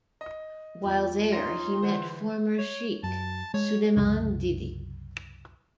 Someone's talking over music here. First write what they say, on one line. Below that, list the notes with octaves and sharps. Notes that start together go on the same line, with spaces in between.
While there, he met former sheikh, Suleiman Dede.
D#5
E2 F4
C#4 D#4 C6 A#6
D3 E3 C5 F#5
C#5
F#2 A5
G#3 C#5
C2 F#2 C#3